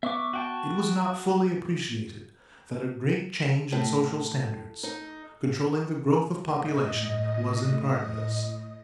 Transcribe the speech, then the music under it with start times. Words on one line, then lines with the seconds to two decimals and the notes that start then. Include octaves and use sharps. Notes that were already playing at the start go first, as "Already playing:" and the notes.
It was not fully appreciated that a great change in social standards, controlling the growth of population, was in progress.
0.03 B3 E5 C#6 D6
0.33 F#4 G5 A5
3.72 A2
4.83 D#4
6.45 A2 D#5